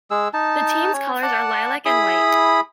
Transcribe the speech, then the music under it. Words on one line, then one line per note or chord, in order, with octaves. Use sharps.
The team's colours are lilac and white.
G#3 G#4 E6
D#4 A5
C#4 C#5
D5 F#5 A5
E4 G#4 B5 D#6